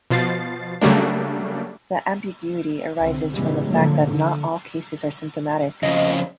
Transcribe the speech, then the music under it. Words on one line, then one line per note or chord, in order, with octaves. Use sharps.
The ambiguity arises from the fact that not all cases are symptomatic.
B2 F3 A6 C7
C#3 F#3 G3 A3 A#3 D4
C2 D3 C4
A2 C#3 E3 G3 G#3 B3
D3 F3 F#3 A#3
D3
F2 C#3 D#5